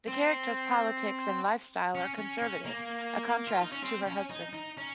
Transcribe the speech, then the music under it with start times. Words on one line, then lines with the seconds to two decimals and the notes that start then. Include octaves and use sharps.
The character's politics and lifestyle are conservative, a contrast to her husband.
0.08 C4
1.95 C#4
2.19 C#4
2.43 C#4
2.66 A#3
3.47 F4
3.60 D#4
3.72 C#4
3.83 C4
4.07 C#4
4.30 D#4
4.53 D#4
4.77 C#4